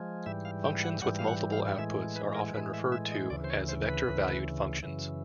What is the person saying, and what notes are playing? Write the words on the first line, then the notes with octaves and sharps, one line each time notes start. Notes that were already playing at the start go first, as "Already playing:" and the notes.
Functions with multiple outputs are often referred to as vector-valued functions.
Already playing: F3 G#3
G#2 E3 G3 E5
F5
G5
F#5
G#2 E3 G3 F#5
F5
F#5
F5
A2 E3 G#3 E5
B4
A#4
A2 E3 G#3 B4
E5
E5
D#5
D2 C#3 E3 D5
C5
C#5
C5
B4
D2 C#3 E3
F#2 C#3 E3